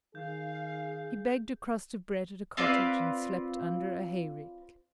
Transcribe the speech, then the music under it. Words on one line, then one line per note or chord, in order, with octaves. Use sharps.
He begged a crust of bread at a cottage and slept under a hayrick.
D#3 G#4 F5 G6
C4 F4 B4 D5